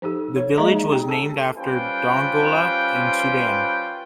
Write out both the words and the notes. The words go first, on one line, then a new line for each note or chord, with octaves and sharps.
The village was named after Dongola, in Sudan.
F3 D#4 G4 A4
C#5
G#3 A#3 G#4 D#5 E5 A#5
D#4
G4 G5
A4 A5
G3 C#4 F4 B4 C5 G5